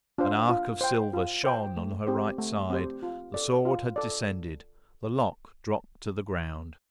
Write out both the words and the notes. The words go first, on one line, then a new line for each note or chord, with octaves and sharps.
An arc of silver shone on her right side: the sword had descended. The lock dropped to the ground.
D4 F4 C5
F4
C5 G5
F4
C5 G5
A3
C4 G4 C5
A3
C4 G4 C5
F4
A4 D5
F4
A4 D5